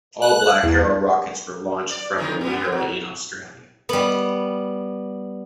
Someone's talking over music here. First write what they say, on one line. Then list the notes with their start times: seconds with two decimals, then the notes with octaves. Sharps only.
All Black Arrow rockets were launched from Woomera in Australia.
0.22 F#6
0.63 E2
1.91 D5
2.18 D3 E3 D#4
2.41 A2 B3
2.68 B2 F#3
3.89 G3 B3